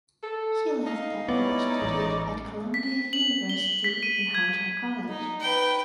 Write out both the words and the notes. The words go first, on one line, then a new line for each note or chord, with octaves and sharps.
He left that post to teach at Columbia University and Hunter College.
A4
D#4 F5
B3 C#4 E4 D5
A1
B6
F#7
G7
B6
D#7
G#6
D#4
B4 G5